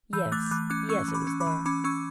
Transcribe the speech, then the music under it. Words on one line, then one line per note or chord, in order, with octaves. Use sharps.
'Yes--yes--it was there.'
E3 E6 G6
A3 D6 F#6
E3 D6 F#6
C#4 D6 F#6
C#4 C#6 E6
E3
B5 D6
C#4
B5 D6
E3
C#4 B5 D6
C#4 C#6 E6